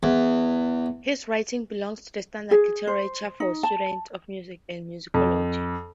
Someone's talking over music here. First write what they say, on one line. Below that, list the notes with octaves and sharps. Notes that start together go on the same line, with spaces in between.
His writings belong to the standard literature for students of music and musicology.
E2
G#4
C5
D#4
A5
F2